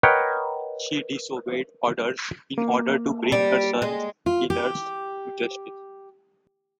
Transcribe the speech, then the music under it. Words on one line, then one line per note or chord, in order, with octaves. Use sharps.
She disobeyed orders in order to bring her son's killers to justice.
A#4 B4 C#5 D#5 F#5 G5
A#3
G3
G#3
F4
G4